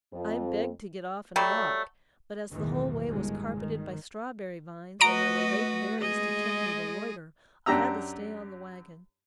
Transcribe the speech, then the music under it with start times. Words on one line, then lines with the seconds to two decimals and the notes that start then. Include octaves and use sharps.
I begged to get off and walk; but as the whole way was carpeted by strawberry vines and there were late berries to tempt me to loiter, I had to stay on the wagon.
0.12 F2
1.36 F#3 G3 A3
2.51 B1 E2 A2 D#3 E3
3.10 G1 D#3 G#3
3.56 D#3
5.01 A3 F#4 B4 D#5 A#5 D7
6.02 G#3 G#4 D#5
7.66 F#2 D4 G4 A#5 E6